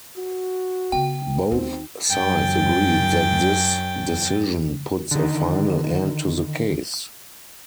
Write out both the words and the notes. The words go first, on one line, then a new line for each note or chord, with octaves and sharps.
Both sides agreed that this decision puts a final end to the case.
F#4
C#3 B3 G5
D#2 C4 D#4
F#2 G5 A6
D3 D#3